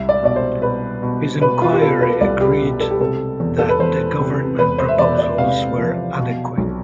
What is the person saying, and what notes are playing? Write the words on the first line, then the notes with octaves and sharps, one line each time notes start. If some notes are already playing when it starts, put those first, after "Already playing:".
His enquiry agreed that the government proposals were adequate.
Already playing: C2 E5
D5
B2 D5
C5
B2 B4
B2
B2 B4
F4
G4
B2 A4
B4
C2 D5
G4
B2
A4
G4
C3 A4
E2
A4
B4
E2 C5
C3
E2 B4
C5
E5
E2 D5
D5
C3 F5
F3
B2
B1